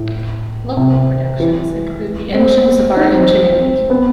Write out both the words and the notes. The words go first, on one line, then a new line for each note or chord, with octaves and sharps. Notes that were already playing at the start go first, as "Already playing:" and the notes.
Local productions include "The Engines of Our Ingenuity".
Already playing: A2
C3
E3
C4
D#4
C4
C4
B3